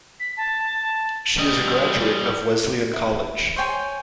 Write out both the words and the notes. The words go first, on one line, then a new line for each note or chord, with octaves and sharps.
She is a graduate of Wesleyan College.
B6
A5
G3 D#5
E4
C5 C#5 G5 G#5